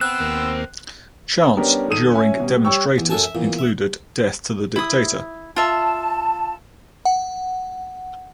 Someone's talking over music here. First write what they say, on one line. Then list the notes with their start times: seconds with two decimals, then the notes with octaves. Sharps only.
Chants during demonstrators included "death to the dictator".
0.01 B3 C4 E6 F#6
0.20 D#2 A#3
1.57 G3 B3 C#4 D4 G4 A#4
1.88 D#3 A4 D#6 D#7
2.11 C#4 E5 G#5
2.40 B2 G3
2.65 G3 C#5 G5 C#6 E6
2.98 E2
3.10 F#2 A4 G#5 A5
3.23 E5
3.35 E2 A#2
3.59 E5
4.76 E4 D#6
5.56 F4 E5 A5
7.05 F#5